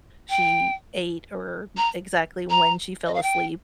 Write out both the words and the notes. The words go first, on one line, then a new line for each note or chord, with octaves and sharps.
she ate or exactly when she fell asleep
G5
A#5
A#5
D#5
F5
G5